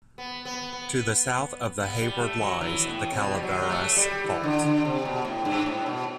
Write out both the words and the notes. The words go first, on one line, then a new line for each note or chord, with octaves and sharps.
To the south of the Hayward lies the Calaveras Fault.
B3
B3
B3
B3
G3
A3
F#3
E3
B2
A2
C3
B2
G3
F#3
G3
A3
G3
E3
D3
D3
C3
B2
A2
G2
A2
B2